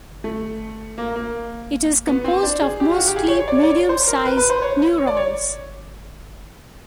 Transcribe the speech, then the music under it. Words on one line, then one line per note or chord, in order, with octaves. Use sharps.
It is composed of mostly medium-size neurons.
A3
A#3
A#3
B3
C4
D4
G#4
G4
F4
F#4
G4
G#4
C#5
C#5
D5
C#5
D5
C#5
C5
A#4
B4
B4
C5
C#5
C#5
D5
C#5